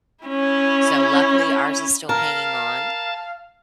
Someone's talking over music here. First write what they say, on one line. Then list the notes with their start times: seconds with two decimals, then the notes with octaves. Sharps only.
So, luckily, ours is still hanging on,
0.24 C#4 E4
2.09 A#4 F5 A5